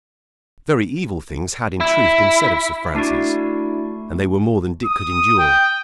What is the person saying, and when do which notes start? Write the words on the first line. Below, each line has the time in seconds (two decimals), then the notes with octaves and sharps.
Very evil things had in truth been said of Sir Francis, and they were more than Dick could endure.
1.80 E4
2.95 A3 D4 E4 F#4
4.85 D#6
5.38 G5